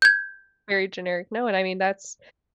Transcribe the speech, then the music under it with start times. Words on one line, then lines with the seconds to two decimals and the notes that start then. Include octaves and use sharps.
very generic. No, and I mean, that's
0.02 G6 G#6